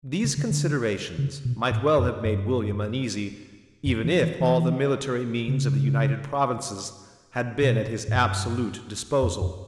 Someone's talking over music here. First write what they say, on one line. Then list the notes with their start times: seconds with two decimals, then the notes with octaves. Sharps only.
These considerations might well have made William uneasy; even if all the military means of the United Provinces had been at his absolute disposal.
0.24 C#3
0.38 D3
0.51 D3
1.18 C#3
1.45 B2
1.71 A2
1.98 F#2
2.25 G2
3.86 F#2
4.04 E3
4.22 E3
4.40 E3
5.48 C#3
7.62 B2
8.08 A2
8.16 G2
9.23 F#2
9.42 F#2